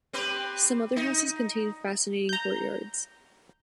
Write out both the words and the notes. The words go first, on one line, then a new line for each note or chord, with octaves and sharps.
Some other houses contain fascinating courtyards.
C4 G4 B4
D#4
A#5 G6